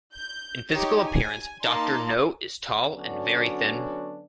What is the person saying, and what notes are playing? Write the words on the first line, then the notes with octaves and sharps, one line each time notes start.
In physical appearance Doctor No is tall and very thin.
G6
D#4 G4 C#5 D#5
G#5
A#3 D#4 A5 C6
D3 F#3 B3 C#4 D4 F#4